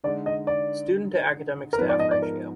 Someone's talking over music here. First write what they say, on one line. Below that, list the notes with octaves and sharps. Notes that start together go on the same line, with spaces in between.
Student to academic staff ratio.
D3 G#3 D#4 D5
D#5
D5
A#4
G#2 F3 G#3 B3 D#4 B4
D5
D#5
D5
A#4